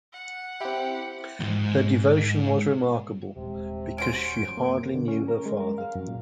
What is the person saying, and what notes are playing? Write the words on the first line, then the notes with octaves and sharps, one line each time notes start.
Her devotion was remarkable because she hardly knew her father.
F#5
C4 E4 G4
D#2 G#2
D#1 C3 G#3
C#4 F#4 C5 D7
F#2
A#3
D3
C#4
A#4
G#3
A#4
F5
F#2
A#2